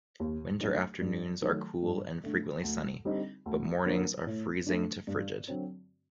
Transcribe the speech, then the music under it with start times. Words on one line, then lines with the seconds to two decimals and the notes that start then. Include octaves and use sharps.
Winter afternoons are cool and frequently sunny, but mornings are freezing to frigid.
0.20 D#2
0.61 D3 F#3 A3 D#4
1.01 G2
1.42 D#3 F#3 A3
1.82 G2
2.24 D3 A3
2.63 D2
3.05 D3 G3 C4 D#4
3.46 D2
3.85 D3 F#3 A#3
4.26 A2
4.66 A3 D4
5.07 G2
5.48 D3 F#3 C4